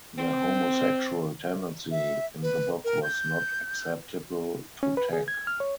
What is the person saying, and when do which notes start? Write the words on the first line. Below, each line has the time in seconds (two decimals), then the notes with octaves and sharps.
The homosexual tendency in the book was not acceptable to Tak.
0.18 C4
1.91 E5
2.43 B4
2.85 A#4
3.03 G6
4.83 C#4
4.97 B4
5.13 G#4
5.28 G#6
5.47 F6
5.60 C#5